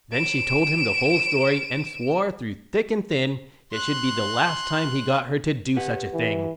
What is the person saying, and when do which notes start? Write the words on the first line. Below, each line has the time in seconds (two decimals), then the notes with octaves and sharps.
Then she told him the whole story, and swore, through thick and thin, it should be the last time he got her to do such a thing.
0.13 D7 E7
3.73 C6 F#6
5.76 G4 B4 F#5
6.13 E3